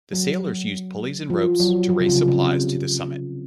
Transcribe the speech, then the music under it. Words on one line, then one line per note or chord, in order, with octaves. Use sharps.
The sailors used pulleys and ropes to raise supplies to the summit.
F#3
F3
F#3
F3
C3
C#3
C3